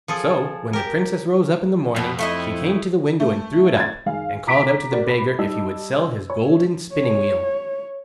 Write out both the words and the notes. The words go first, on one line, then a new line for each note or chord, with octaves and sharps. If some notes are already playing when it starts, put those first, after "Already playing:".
So when the Princess rose up in the morning, she came to the window and threw it up, and called out to the beggar if he would sell his golden spinning-wheel?
F3 G#4 A4
G4 A#4
F2 B2
A3 E4 D#5
A3
G#6 A6
D#3 G#4 F5
A#5 D6 B6 D7
F#4 A#4 D5
B4 B5
G3 D#4 D#5 A5 E6
C#5
C#5